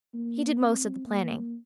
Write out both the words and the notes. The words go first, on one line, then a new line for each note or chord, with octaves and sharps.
He did most of the planning.
A#3
C4
A#3